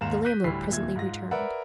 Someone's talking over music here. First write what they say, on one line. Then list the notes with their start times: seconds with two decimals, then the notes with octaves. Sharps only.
The landlord presently returned.
0.01 D#2 G#2 F5 A#5 E7
0.25 F#6 G6 A#6 B6 D#7
0.44 D2 A2 G3 E4 B6 C7
0.69 D#2 A#2 D#3 E5 G#6
0.96 G#2 F4 A#6
1.31 A#4 B4 D5 E5 F#5